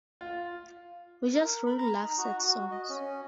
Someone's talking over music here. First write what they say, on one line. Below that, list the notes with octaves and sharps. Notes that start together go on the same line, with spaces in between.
We just really love sad songs.
F4
A#4
B5
A#5
D#4
F#4
F#4
D#5
C#4